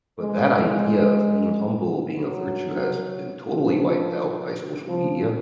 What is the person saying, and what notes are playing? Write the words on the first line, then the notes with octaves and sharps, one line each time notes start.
But that idea of being humble being a virtue has been totally wiped out by social media.
G#3
G#3
F#3
F3
F3